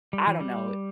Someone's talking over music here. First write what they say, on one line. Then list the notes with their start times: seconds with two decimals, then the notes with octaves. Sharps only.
I don't know.
0.13 G3
0.27 E3
0.41 G3